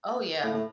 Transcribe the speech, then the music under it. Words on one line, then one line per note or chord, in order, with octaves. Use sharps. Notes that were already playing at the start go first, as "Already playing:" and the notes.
Oh, yeah.
A2
A2